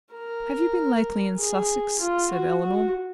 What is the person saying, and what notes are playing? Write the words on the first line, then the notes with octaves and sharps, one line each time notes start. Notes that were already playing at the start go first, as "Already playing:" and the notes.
"Have you been lately in Sussex?" said Elinor.
A#4
G#4
F4
F#4
F#4